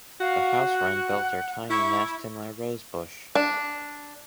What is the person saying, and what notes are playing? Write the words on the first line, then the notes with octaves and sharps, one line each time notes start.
The house wren built her tiny nest in my rose bush.
F#4 F5
F#5
E4 C#6
D4